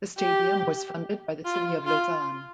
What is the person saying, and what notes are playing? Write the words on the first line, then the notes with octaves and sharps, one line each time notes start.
The stadium was funded by the City of Lausanne.
G4
F4
F4